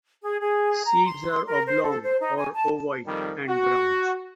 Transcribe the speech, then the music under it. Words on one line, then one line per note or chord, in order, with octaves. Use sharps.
Seeds are oblong or ovoid and brown.
G#4
G#4
A#5
C6
C6
A#4
C5
A4
C5
D#4
G#5
A5
F2 D#3 G3
F#4